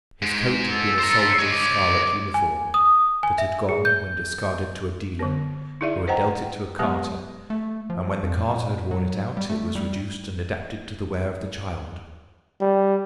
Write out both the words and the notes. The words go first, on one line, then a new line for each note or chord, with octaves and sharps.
His coat had been a soldier's scarlet uniform, that had gone when discarded to a dealer, who had dealt it to a carter, and when the carter had worn it out it was reduced and adapted to the wear of the child.
G#2
A4
C5 A#5
C#5 D#5
D6
G#5
D#6
G#5
E5
G#4
G6
D3 B3
D#4 E4 G#4 D5 E5
B4 C5 D#5 F#5 G5 A#5
F#3 G#3 B3 G4 B4
A3
F3
F2
A#2
F#3
G3
A3
G3
G3